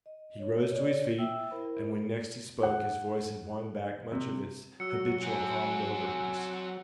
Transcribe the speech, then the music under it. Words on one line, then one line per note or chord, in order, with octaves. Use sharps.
He rose to his feet, and when next he spoke his voice had won back much of its habitual calm deliberateness.
D#5
C#5
C#5 D5
E5 G5 E6
E4 A#4 C5 B5
F#5
C3
F#3 F#4 E6 C#7
C4 A4 G#5